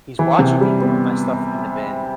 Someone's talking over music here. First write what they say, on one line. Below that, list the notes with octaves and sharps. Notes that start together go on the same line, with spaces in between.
He's watching me put my stuff in the bin,
E3
C3
G3
B3